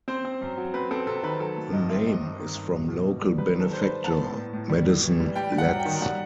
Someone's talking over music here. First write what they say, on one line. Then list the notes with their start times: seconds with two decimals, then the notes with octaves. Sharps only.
The name is from local benefactor, Maddison Letts.
0.08 C4 C5
0.25 C4
0.41 F#2
0.58 F#3
0.74 C4 B4
0.91 C4 A4
1.07 C3 A4
1.23 D#3 B4
1.40 F#3 A4
1.56 A3
1.73 G2 D#5
1.89 C4 E5
2.06 G2 D#5
2.23 G2
2.39 D#3
2.55 G2
2.72 B2
2.89 B2
3.05 B2
3.22 G3
3.38 G3 B4
3.55 D#3
3.60 A4
3.71 G3 C5
3.82 B4
3.88 G3
4.04 B3 A5
4.21 A2
4.37 A2
4.53 A2
4.69 G3
4.87 A2
5.03 E3
5.20 G3
5.35 G3 G5
5.53 G3
5.58 F#5
5.69 F#2
5.80 G5
5.85 D#3
6.02 G3 F#5